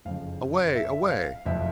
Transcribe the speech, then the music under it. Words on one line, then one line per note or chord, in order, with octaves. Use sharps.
Away! away!
F#1 F2 C#3 F5
E5
F5
F#1 F2 C3 E5